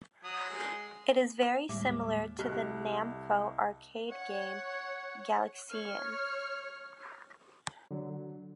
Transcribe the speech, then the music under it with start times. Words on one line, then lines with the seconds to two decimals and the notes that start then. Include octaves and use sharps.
It is very similar to the Namco arcade game "Galaxian".
0.24 F#3 D#6
0.49 G#3
1.69 D#2 A2 G3 G#3 E5 D6
2.39 C2 G4 A4 D#5 F6 F#6
4.10 C#5 F#5
5.69 C#5 F6
7.91 D3 F#3